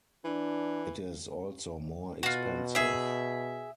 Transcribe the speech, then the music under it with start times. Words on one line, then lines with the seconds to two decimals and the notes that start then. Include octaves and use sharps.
It is also more expensive.
0.25 E3 D4
2.23 B2 F4 F#4
2.75 G#4 E5